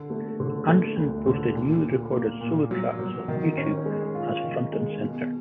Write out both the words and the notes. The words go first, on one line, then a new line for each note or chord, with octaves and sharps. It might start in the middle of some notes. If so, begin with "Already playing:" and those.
Anderson posted newly recorded solo tracks on YouTube as Front and Centre.
Already playing: D3
A3
D3
A3
D2
D3
A#2
A#2
A#3
A#2
F#3
F#3
D#3
C#4
G#3
F4
D#3
G#3
B2